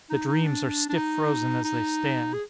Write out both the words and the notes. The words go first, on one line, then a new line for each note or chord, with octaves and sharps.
The dreams are stiff-frozen as they stand.
D#4
D#4
D4
D4
D#4
D#4
G#4